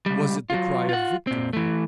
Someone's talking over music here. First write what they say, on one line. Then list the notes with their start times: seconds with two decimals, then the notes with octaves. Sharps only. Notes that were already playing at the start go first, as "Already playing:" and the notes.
Was it the cry of victory?
0.06 C#2 G3
0.50 F#3 F4
0.89 F4 F#5
1.27 A#2 C4
1.53 E3 A3